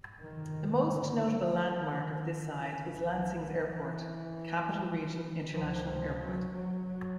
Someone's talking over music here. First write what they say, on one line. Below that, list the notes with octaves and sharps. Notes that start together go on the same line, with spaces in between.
The most notable landmark of this side is Lansing's airport: Capital Region International Airport.
G1 F2 C3 D#3
D3
D#3
C2 A#2 E3
E3
C#2 C3 F3
F#3
F#3
F#3